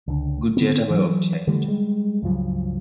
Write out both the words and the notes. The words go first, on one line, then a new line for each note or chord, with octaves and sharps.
Good data were obtained.
C#2 D3
D3 B3 C4
E3 F#3
D3 E3 G3 A3
G3 G#3
C#2 G2 F3 F#3